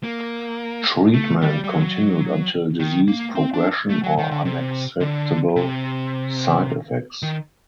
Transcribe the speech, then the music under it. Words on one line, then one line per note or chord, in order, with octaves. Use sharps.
Treatment continued until disease progression or unacceptable side effects.
A#3
A3
G3
G3
F#3
D#3
A#3
C4
D4
A3
F#3
D#3
D3
C3
D3
C3
D#3